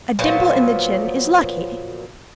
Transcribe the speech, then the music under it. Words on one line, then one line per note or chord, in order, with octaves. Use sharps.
A dimple in the chin is lucky.
A#2 F3 F#3 B3